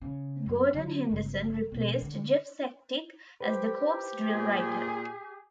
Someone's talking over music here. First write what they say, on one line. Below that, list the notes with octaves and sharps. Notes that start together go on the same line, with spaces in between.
Gordon Henderson replaced Jeff Sacktig as the corps' drill writer.
C#3
F#2
D3 F#3
G1 C#2
B2 F3
D3
G4 B4 C5
A#2 G#4